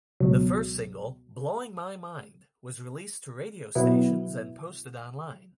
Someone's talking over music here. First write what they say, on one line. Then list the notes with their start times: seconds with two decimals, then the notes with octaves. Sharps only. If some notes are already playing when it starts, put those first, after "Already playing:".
The first single, "Blowing My Mind", was released to radio stations and posted online.
0.20 C#2 B2 F#3
3.75 B2 F#3 B3 E4